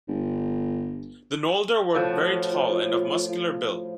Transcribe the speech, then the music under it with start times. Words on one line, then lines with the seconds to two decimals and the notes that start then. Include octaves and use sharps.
The Noldor were very tall and of muscular build.
0.08 G1
1.95 A2 F3 F4 F#4